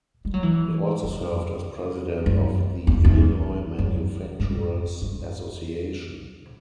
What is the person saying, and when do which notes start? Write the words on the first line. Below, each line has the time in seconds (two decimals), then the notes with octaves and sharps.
He also served as President of the Illinois Manufacturers Association.
0.25 G3
0.34 F#3
0.43 E3
1.03 F#2
2.26 F#2
2.87 E2
3.05 E2
3.79 F#2
4.40 G2
5.02 G2